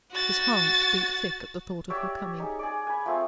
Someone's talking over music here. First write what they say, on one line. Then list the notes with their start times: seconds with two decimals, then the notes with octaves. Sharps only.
His heart beat thick at the thought of her coming.
0.13 F#4 A6
1.90 G4 C#5 D5 E5
2.40 D#4 G#4
2.59 G#4 D5
2.87 G#5 B5
3.06 F3 A3 C4